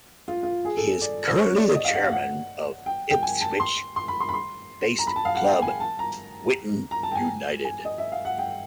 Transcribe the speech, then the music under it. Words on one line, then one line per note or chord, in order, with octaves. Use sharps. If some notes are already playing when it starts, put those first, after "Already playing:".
He is currently chairman of Ipswich-based club Whitton United.
F4
F4
G#4
A4
D5
C5
C#5
D5
D#5
F5
F#5
F5
F#5
G5
G5
G#5
A5
C6
C6
B5
C6
B5
C6
A#5
B5
A5
F5
F#5
G5
G#5
A5
A#5
A#5
A5
G5
G#5
G#5
D#5
E5
F5
F#5
G5